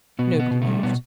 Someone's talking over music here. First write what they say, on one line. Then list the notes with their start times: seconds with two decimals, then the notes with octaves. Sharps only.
Nobody moved.
0.19 B2 B3
0.35 B2 B3
0.51 B2
0.62 A3
0.67 G3
0.83 B2 B3